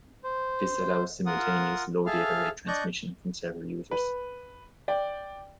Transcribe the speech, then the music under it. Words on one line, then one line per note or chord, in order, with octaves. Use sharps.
This allows simultaneous low-data-rate transmission from several users.
C5
F4 A#4 F#5 D#6
G#4 A4 E5 F5 F6
D4 D5 D#5 C#6 F#6 G6
B4
D5 G5